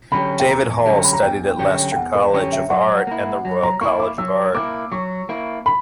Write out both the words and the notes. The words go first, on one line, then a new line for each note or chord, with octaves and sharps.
David Hall studied at Leicester College of Art and the Royal College of Art.
D3 F#3 C#4 G4 B5
G5
E2 A#5
D3 F#3 C#4 G4
B5
A#5
E2 G5
D3 F#3 C#4 G4
G5
E2 F#5
B4
D3 F#3 C#4 G4
E5
F#3 F#5
A#3 E4
F#3
A#5
A#3 E4 C#6
D6
F#3 E6
A#3 E4 D6
F#3 C#6
A#3 E4
B5